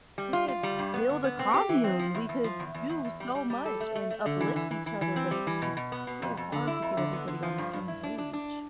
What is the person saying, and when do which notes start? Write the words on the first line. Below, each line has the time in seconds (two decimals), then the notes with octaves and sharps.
we could build a commune, we could do so much and uplift each other, but it's just so hard to get everybody on the same page.
0.18 G3
0.33 F4
0.48 F4
0.63 G3
0.79 G2
0.94 B3
1.09 D3
1.24 B3
1.39 C4
1.54 G4
1.69 E3
1.84 C4
1.99 F3
2.14 E2
2.29 E2
2.44 F3
2.60 E2
2.74 E2
2.89 E2
3.05 E2
3.20 G3
3.35 G3
3.50 G3
3.65 A4
3.80 A3
3.96 A3
4.10 A3
4.26 D3
4.41 E3
4.56 E3
4.71 E3
4.86 E3
5.01 E3
5.16 C4
5.31 G3
5.47 E3
5.62 B2
5.77 B2
5.92 B3
6.07 B2
6.22 F2
6.37 F2
6.52 D3
6.67 E4
6.82 F2
6.97 D3
7.13 B3
7.28 D3
7.43 F3
7.58 G2
7.73 G2
7.88 E4
8.03 D4
8.18 D4
8.33 D4